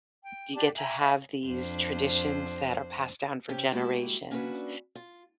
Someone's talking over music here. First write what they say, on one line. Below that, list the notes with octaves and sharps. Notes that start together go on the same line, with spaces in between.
you get to have these traditions that are passed down for generations
G5
D4 G4 A5 D6
E5 G5 G#5 A#5
E5
F2 D4 C5
C3 C#4 G4 G5
G#3 A#3 E4 F#4 G4 E5
A#3 C#4 D4 E4 F#4 B4
F4